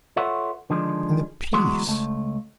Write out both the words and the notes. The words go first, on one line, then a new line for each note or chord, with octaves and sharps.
And the peace!
F4 A4 B4 C#5 E5 F#5
D3 D#3 F3 G#3 D4
D2 E3 F#3 G#3 B3 C6
C#2 A3